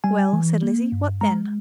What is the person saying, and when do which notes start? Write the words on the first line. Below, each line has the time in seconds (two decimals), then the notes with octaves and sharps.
"Well," said Lizzie,--"what then?"
0.04 G3 G#5
0.33 E3
0.63 A#3
0.92 G2
1.21 G#3 A#5